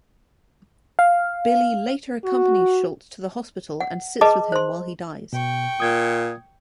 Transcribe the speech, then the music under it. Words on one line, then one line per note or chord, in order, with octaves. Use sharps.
Billy later accompanies Schultz to the hospital and sits with him while he dies.
F5
F#4
F#5
G#4 B4 D#5 A5 D6
C5 C6
B2 G5 C#6
A#2 D#6 G#6